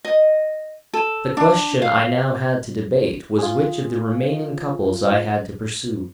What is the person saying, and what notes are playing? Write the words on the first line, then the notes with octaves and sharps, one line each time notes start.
The question I now had to debate was which of the remaining couples I had to pursue.
D#5
A4
D4
F5
F4 G#4